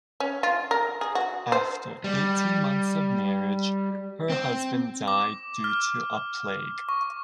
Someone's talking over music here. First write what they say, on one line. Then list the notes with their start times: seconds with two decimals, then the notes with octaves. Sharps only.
After eighteen months of marriage, her husband died due to a plague.
0.20 C#4
0.43 F4
0.71 A#4
1.01 G#4
1.15 F#4
1.52 C5
2.04 G3
4.30 C4
5.08 D6
5.64 F6
6.89 C#6